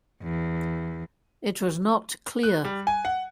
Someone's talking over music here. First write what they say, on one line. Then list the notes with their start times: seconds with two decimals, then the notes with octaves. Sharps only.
It was not clear.
0.22 E2
2.43 F#6
2.65 G3
2.87 G#5
3.05 F#5